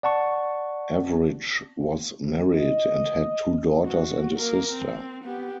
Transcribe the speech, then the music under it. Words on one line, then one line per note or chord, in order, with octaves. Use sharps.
Avrich was married, and had two daughters and a sister.
D5 F#5 A5 C#6
D#5
F#4
A#3 A#4
C4
B3 G4